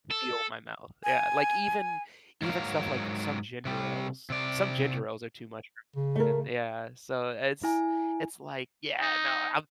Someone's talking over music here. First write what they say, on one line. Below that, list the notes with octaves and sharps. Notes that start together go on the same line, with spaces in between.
feel my mouth." Yeah, like even even stuff, like, some ginger ales some ginger ales are too much for me, and yeah, so it's it's like, yeah, no, I'm
A4
G#5
G#2 F#3 A#4 F5
C3 G3
C3 D5
C#3
A3 A#4
E4 G#5
D#4